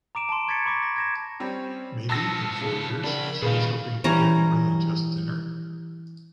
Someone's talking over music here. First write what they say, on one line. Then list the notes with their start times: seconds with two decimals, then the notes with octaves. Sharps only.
Maybe in four years she is hoping to get more than just dinner?
0.15 A#5 D6 D7 E7
0.29 A5 C6
0.48 C#6 G#6 A6 B6 C#7
0.66 B5 C#6 D6 A#6
0.83 A#6
0.96 G#6 A#6 E7
1.40 G3 C4 C#4
2.10 F3 B3 A5 E6 A#6
2.61 C#3
3.04 D4 A#4 B5
3.42 A#2 D#3 G#4 B4 F5
4.04 E3 G3 C#4 A#5